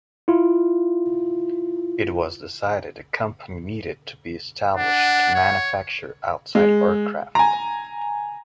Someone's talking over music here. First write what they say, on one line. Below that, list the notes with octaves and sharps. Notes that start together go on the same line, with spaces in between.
It was decided a company needed to be established to manufacture outsized aircraft.
E4 F4
D4 F#5
C#5
G#3
G#5 A#5